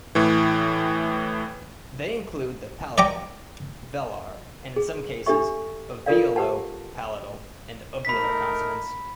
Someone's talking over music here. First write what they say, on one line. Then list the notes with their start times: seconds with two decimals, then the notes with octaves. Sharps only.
They include the palatal, velar and, in some cases, alveolo-palatal and uvular consonants.
0.15 A2 E3
2.98 D5 G5 A#5 D6
4.76 G#4
5.26 D4 G4 A4 E5 C#6
6.06 F4 A4 A#4 D5 F5
6.36 G4 B4 F#5 A5
8.05 A3 D#4 A#4 B5 B6